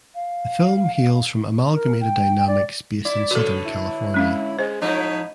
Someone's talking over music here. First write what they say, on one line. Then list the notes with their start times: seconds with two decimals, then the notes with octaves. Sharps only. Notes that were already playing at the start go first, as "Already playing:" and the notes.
The film hails from Amalgamated Dynamics based in Southern California.
0.15 F5
1.74 A#4
2.01 G5
2.48 D5
3.05 E4 D5
3.31 A2 D3 F#4 A4 B4
3.66 E4
4.14 G#3 C#4 F5
4.59 G#3 C5
4.81 A2 F3 D#4 E4